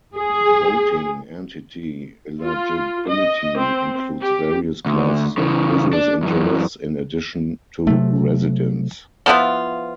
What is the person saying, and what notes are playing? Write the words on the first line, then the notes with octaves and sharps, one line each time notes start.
Voting entity eligibility includes various classes of business interests, in addition to residents.
G#4
F4
D#5
C4
G4
D2
C#3 E3
D4
F#2 E3
C3 F#3 A3
F3 B3 E4 F4